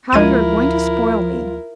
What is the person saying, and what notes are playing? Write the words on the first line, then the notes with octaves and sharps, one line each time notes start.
How you are going to spoil me!
D2 F3 G#3 E4 F4 A#4 G#6 D#7